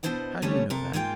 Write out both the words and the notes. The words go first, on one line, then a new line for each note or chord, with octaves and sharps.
How do you know that?'
B2 D4 E4 C5 D#5 F#5
D3 G3 A3 C4 C#4 C#5
C3 A4 A#4
G#2 G#3 A#3 F4 A4 G5